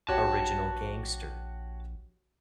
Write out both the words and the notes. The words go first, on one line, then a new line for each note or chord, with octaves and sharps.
Original Gangster.
A#1 F#4 G4 C#5 A5